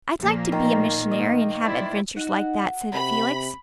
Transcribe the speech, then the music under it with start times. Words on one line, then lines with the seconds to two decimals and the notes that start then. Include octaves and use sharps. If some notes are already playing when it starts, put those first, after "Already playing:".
"I'd like to be a missionary and have adventures like that," said Felix.
0.19 A#2 F3 A#3
0.52 D#3
1.11 A#3 D#5
1.61 E4 C5 D5
2.17 D#4 F#4 F#5
2.94 C3 B5